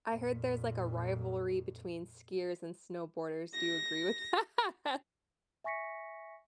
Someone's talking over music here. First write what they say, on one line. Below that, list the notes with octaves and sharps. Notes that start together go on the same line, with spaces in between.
I heard there's, like, a rivalry between skiers and snowboarders. Do you agree with that?
F2 A#2
A#6
E5 G#5 C#6 A#6 B6 C#7